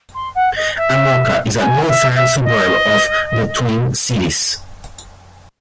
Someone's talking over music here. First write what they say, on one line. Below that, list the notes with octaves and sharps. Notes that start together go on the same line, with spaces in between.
Anoka is a northern suburb of the Twin Cities.
C6
F#5
D#5
E5
G#5
E5
E5
D#5